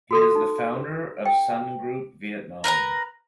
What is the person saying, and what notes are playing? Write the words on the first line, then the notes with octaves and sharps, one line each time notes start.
He is the founder of Sun Group Vietnam.
F#4 A4 C6
D#4
G5
A#4 B4 F#5 A#5